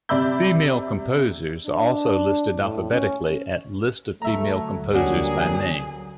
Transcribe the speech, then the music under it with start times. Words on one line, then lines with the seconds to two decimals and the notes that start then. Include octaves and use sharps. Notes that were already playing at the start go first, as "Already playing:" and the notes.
Female composers are also listed alphabetically at List of female composers by name.
0.09 C3 D5 E5 B5 E6 G6
1.66 D4
2.56 A2
2.92 C#4
4.22 D2 D3 F#3 A3 E5 A#5
4.93 G3 A#3 C#4 D4 F#4 G#4